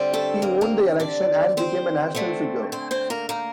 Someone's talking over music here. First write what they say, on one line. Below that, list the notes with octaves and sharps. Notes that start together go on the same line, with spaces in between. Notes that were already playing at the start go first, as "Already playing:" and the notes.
He won the election and became a national figure.
Already playing: D3 G3 C4
A3 A4
A#3 A#4
A#3 A#4
D4 D5
C4 C5
D3 A3 C4
C4 C5
C4 C5
A#3 A#4
A#3 A#4